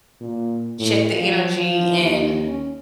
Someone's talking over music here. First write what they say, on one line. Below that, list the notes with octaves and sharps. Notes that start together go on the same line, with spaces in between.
check the energy, and
A#2
A2
F3
F3
D#2
C#4